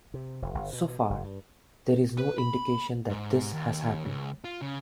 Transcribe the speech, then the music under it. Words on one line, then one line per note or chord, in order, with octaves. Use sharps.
So far, there is no indication that this has happened.
C3
F1
G1
B2
F#1
G2
B4
B5
G#2
D#2
C#2
F4
C#3